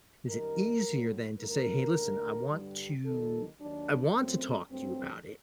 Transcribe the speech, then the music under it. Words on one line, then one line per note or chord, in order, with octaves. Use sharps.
Is it easier than to say, "Hey, listen, I want to I want to talk to you about it,
F#2 D#3 G3 A#4
A2 F#3 A3
G2 D#3 A3 A#4
D#2 D3 A3
G2 D3 G3
D#2 D#3 G3 A4
D#2 D#3 F#3 D4
F#2 F#3 A3 C4
G2 F#3 A3 C4